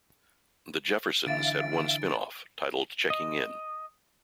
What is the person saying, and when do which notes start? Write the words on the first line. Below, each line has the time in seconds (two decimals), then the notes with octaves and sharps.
"The Jeffersons" had one spin-off, titled "Checking In".
1.26 D3 E3 E5 F5 A6 D7
3.10 D#5